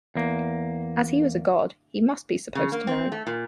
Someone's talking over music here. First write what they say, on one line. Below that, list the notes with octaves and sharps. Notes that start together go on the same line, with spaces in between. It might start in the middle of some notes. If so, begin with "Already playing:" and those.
As he was a god, he must be supposed to know.
E2 A#3
C#3
A#3
C4
A3
A#2